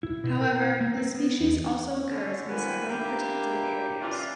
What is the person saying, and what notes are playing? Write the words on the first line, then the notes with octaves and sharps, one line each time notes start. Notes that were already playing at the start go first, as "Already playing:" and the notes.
However, the species also occurs in several protected areas.
E4
B2
A#4
C5
A#3
C4
B3
E2
D3 C#4
D#3 F3 A#3 B3 G#5 B5
A#3 D4 E4 G4
E3 C#4 D4 F4